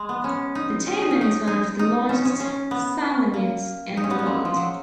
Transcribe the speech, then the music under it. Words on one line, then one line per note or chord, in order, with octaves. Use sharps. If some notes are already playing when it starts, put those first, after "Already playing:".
The taimen is one of the largest salmonids in the world.
Already playing: G#3
B3
C#4
D#4
C#4
D#4
C#4
D#4
D#4
D#4
C#4
C#4
C#4
B3
A#3
D#4
C#4
B3
A#3
G#3
F3
F#3